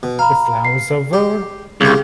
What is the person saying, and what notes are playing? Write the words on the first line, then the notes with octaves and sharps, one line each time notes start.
The flowers of var.
B2
F5 A#5 B5
C7
G4
C2 C#3 G4